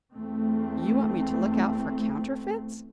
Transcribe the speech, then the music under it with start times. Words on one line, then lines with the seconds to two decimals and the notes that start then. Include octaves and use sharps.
"You want me to look out for counterfeits?"
0.13 E2 A3 C4